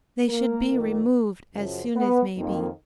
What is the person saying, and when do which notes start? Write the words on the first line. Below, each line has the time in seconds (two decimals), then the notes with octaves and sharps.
They should be removed as soon as may be.
0.29 A#3 A#4
0.71 F2 D#3 A#3
1.53 F#2 C#3 F3
1.95 B3 B4
2.37 F2 D#3 A#3